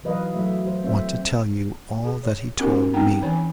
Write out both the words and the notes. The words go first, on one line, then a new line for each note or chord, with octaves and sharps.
I want to tell you all that he told me.
E3 F#3 B4 D#5 F5
F#3 A3 E5
F#3 C5
A3 C4 C5 E5
G#4
C#5
B3 C#4 D#4 F#4 G4 A#4
B3 C4 D4 D#4 G5 A#5
E3 C#5 G#5